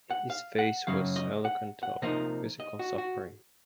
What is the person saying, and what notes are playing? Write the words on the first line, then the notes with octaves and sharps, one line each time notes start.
His face was eloquent of physical suffering.
F#5
F5
F#5
F#2 C#3 F#3 C#4 F5
D#5
F#5
F#5
C3 F3 A#3 D#4 D#5
D#5
F#4
F#4